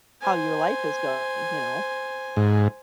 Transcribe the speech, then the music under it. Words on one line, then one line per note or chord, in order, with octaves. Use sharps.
how your life is going, you know?
C5 G#5
G#2